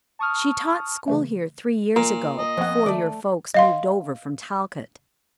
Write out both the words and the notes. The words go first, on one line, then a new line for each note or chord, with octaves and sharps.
She taught school here three years ago, afore your folks moved over from Talcott.
A5 C#6 D#6 F6
C#3 E3 A3
A#2 A#4
D#5
F2 F3 B3 F#5
D#3 A3 D5
D#5 F5 C6